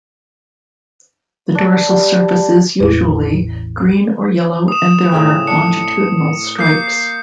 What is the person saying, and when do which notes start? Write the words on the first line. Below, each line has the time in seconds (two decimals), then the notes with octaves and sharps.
The dorsal surface is usually green or yellow and there are longitudinal stripes.
1.55 D4
1.89 G3
2.80 A1 E2 E4 B4
4.68 D#6 E7
5.12 A2 C#3 C4
5.47 D4 C#7
6.59 A#3 G6 C7